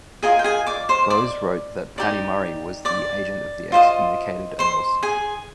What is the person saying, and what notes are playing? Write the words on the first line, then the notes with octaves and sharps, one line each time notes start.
Bowes wrote that "Paty Murray" was the agent of the excommunicated earls.
F4 G#4 A#4 D#5 G#5
G5
G#4 G#5
D5 D6
C5 C6
D5 D6
D#4 G4 D5
D5 D6
F4 C5 D#5
C5 C6
G#4 G#5